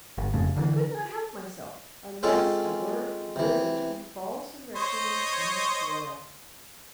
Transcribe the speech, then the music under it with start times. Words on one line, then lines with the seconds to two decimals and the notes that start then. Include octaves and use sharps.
I could not help myself, unless I were willing to be false and recreant and disloyal.
0.18 G1
0.34 F1 F2 C#3 A3
0.57 D3 E3
2.23 G#3 C4 C#4 F4 A4
3.36 C3 E3
4.76 C5 C#5 D#5